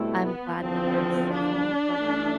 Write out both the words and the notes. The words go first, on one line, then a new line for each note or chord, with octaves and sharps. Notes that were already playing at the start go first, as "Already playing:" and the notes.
I'm glad that they're civil, but, like,
Already playing: B2 G3 A3 C4 E4 A4
B3
E2 D3 F3 C4
D4
G2 E3 A3